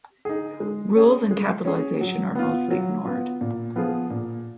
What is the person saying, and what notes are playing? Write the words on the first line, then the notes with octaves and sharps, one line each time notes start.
Rules in capitalization are mostly ignored.
D#4 G#4
G#3
C#4 G#4
G#3
C#4 G#4
F#3
B3 F4
F#3
B3 F4
A#2
F3 B3 F4 G#4
A#2